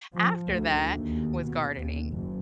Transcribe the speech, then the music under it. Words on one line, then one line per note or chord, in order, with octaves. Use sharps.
after that was gardening,
F3
D2
D#2
B2
D#2
F#1